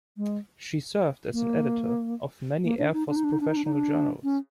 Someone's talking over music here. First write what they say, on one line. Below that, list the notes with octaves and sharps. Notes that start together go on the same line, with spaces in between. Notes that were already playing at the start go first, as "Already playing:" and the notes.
She served as editor of many Air Force professional journals.
G#3
A#3
A#3
D4
D#4
D4
D#4
D4
D#4
D4
D#4
D4
D#4
D4
C#4